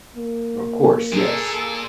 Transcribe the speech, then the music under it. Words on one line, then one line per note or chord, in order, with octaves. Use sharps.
Of course, yes.
A#3
A#2 G#4 A4